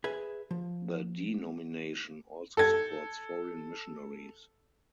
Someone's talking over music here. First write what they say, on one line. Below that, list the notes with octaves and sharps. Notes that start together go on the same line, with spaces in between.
The denomination also supports foreign missionaries.
G#4 B4 E5 G#5
F3
A4 G#6